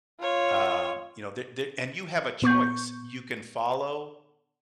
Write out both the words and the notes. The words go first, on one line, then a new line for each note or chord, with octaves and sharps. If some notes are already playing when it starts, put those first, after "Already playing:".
um, you know, th there and you have a choice. You can follow,
F4 C#5
A#2 B3 C#6 G6